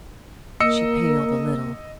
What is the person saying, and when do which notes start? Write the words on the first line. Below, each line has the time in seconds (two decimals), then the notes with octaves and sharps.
She paled a little.
0.60 A#3 D#5 E6 C#7